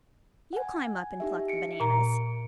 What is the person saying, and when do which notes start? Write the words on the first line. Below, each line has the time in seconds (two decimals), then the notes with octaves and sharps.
You climb up and pluck the bananas.
0.53 F#5 G#5
1.20 D#4 G4 E5
1.48 C#7 D7
1.80 A#2 A#5